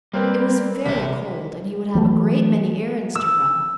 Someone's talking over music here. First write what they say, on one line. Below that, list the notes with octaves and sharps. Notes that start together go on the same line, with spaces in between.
It was very cold, and he would have a great many errands to run.
G3 A#3 C4 B4
A1 C3 E5 B6
E3 F#3 A3
E6